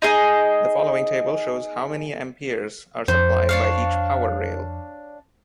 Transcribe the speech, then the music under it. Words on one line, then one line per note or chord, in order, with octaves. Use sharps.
The following table shows how many amperes are supplied by each power rail.
D#4 G#4 D#5
F2 C5
D4 C#5 F5